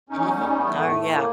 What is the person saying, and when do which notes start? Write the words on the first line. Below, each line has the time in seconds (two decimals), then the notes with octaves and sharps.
Mhm, oh yeah.
0.09 E2 C#4 D#4
0.32 G3 C#4 D#4
0.56 E2 A3 B3
0.79 A2 A3
1.03 A2
1.10 A#3